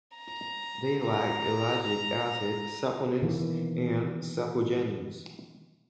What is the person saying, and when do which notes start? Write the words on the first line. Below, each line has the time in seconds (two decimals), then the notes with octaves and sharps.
They lack ellagic acid, saponins, and sapogenins.
0.17 A#5
1.09 A#5
3.22 B2 D#3 E3 A#3